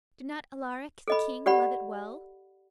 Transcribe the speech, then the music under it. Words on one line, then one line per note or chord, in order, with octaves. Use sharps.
Did not Alaric the king love it well?
A4 D#5 B5
G4 D5 F#5 B5